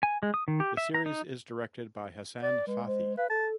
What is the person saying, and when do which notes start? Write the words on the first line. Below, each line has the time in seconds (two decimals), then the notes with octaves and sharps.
The series is directed by Hassan Fathi.
0.03 G#5
0.23 G#3
0.34 D#6
0.48 D#3
0.60 G4
0.77 E5
0.94 A#5
1.06 D#4
2.43 D5
2.67 G#3 B4
2.87 C5
3.17 B4 F5
3.30 A4 A5